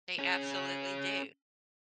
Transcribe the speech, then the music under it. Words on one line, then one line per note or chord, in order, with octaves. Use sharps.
They absolutely do.
C#4 G#4